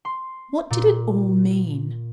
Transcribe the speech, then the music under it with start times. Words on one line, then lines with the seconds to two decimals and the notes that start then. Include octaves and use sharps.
What did it all mean?
0.05 C6
0.70 A#2